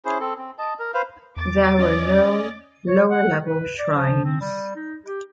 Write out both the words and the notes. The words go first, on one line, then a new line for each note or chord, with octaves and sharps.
There were no lower-level shrines.
C#4 E4 G#4 C5
C4 A4
C4
D#5 A5
A#4
B4 C5 F5
E2 D6 A6
C#4 D5 D#5
C#5
F#5
B4
D5
F3
C4
G3
D#4
G4